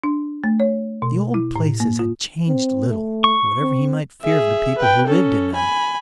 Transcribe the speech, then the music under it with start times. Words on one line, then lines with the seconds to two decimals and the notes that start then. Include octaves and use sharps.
The old places had changed little, whatever he might fear of the people who lived in them.
0.04 D4
0.44 A3
0.60 C#5
1.02 B2
1.34 E4
1.56 A2
1.80 A#3
1.99 F4
2.48 C4
2.89 A3
3.24 C#6
3.61 C4
4.22 G#4 E5
4.78 B4 G5
5.07 C#4 A4
5.55 G#5 B5